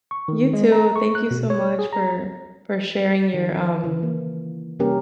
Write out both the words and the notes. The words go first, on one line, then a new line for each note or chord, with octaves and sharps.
You too. Thank you so much for for sharing your, um,
C#6
D#3
G#3
A#5
C#6
F#6
B2
C#5
G#4
A#5
D#3
C#3 E3
A#3
C3 G3 A#3 C#4 G4 A#4